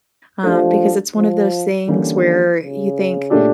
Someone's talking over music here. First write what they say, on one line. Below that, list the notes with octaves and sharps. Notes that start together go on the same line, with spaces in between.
um, because it's one of those things where you think,
F3 A3 D4 G4
F3
D3 E3 G3 A#3 C#4 G4
C#3
A#2 A3 D4 G4 D5